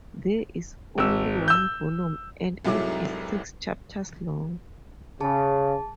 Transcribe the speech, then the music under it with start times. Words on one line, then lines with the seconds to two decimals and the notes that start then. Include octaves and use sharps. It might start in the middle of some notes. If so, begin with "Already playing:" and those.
There is only one volume and it is six chapters long.
0.98 G#1 E6
1.48 E6 G6
2.65 F1 C2 G#2 F#3 E4 D6
5.20 C#3 G#4 A5